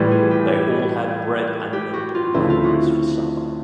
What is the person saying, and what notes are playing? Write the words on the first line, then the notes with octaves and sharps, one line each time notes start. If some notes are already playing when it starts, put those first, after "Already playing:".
They all had bread and milk and blackberries for supper.
Already playing: A2 E3 G3 F4
G#4
G4
G4
F#4
F4
D2 C#3 F3 A3 C4 E4
F4
F#4